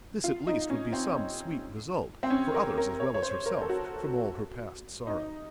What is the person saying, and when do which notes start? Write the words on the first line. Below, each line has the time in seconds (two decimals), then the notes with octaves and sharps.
This at least would be some sweet result, for others as well as herself, from all her past sorrow.
0.24 F4
0.47 D#4
0.70 C#4
0.93 C4
2.23 C4
2.30 C#4
2.54 A#4
2.78 A#4
3.00 C#5
3.14 C#5
3.22 C5
3.46 A#4
3.62 A4
3.69 F#4
5.07 D#4